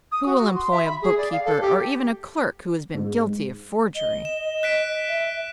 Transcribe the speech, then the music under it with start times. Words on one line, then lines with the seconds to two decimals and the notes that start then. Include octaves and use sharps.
"Who will employ a bookkeeper, or even a clerk who has been guilty of forgery?"
0.12 D#6
0.26 F#4
0.37 F#4
0.55 C6
0.71 E5
0.85 B5
1.02 G#4
1.18 D5
1.32 F5
1.45 A4
1.61 G4
2.94 G#2
3.95 D#5 G7
4.25 E7
4.63 F#6 B6 D7
5.09 E5